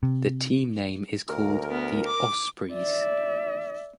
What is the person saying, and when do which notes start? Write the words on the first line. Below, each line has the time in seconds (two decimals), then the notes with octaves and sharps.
The team name is called the "Ospreys".
0.03 C3
1.30 D2 A#4
1.70 B3
2.06 D6
2.73 D5 E5